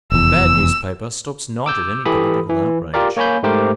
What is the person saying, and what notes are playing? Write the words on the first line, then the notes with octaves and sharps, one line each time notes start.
The bad newspaper stops not at any political outrage.
F1 E2 E6
D6 E6 G6
E3 G4 A4 B5 D#6
E3
F4 G4 A#4 D5
A#3 C#5 G#5 B5 G6
G#2 A3 G4 A#4 C5 D6